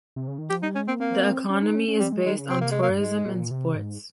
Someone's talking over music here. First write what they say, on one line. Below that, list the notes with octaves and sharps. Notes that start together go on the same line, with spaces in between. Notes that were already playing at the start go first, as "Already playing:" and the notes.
The economy is based on tourism and sports.
C3
C#3
D#3
F3 G4
G3 D#4
G#3 C#4
A#3 C4
A#3 C4
C#4
D#4
C#4
C#4
G3 C4
G#3
D#3 G#3
C#3
C3 C4
A#3
G#3
A#3
G2
G#2 G#3
A#2
C3
G#2